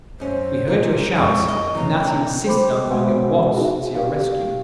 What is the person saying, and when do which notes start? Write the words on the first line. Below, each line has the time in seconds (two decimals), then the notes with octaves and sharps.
"We heard your shouts and Natty insisted on going at once to your rescue."
0.20 F#2 C#4 C5
0.68 D#2 A#2 F4
1.15 F2 A#2 G#3 A#3 E4 C#6
1.48 D#5
1.75 A2 E3 C#4 A#5
2.00 D4 G5
2.47 C5 G5 B5 D6
2.90 G#3 F#4 C5 E5 F#5 G#5
3.54 D#4 F#4 G#4
3.95 G4 F5